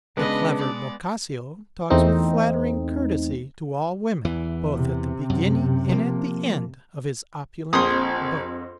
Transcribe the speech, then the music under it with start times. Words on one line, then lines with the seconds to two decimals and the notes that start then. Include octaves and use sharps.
The clever Boccaccio talks with flattering courtesy to all women, both at the beginning and at the end of his opulent book.
0.17 C#3 G#3 B3 D4 B4 D#5
0.58 D5
1.90 E2 A3 C4 D#4
4.25 E2 E3
4.75 C3
5.30 F#2
5.89 F3 A#3
7.73 A#1 F2 C5 D#6